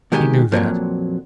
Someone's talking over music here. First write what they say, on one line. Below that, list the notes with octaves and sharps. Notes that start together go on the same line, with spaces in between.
He knew that.
B2 D#3 G#3 G4 C#5 G#5
F2 A#2 D#3 F#3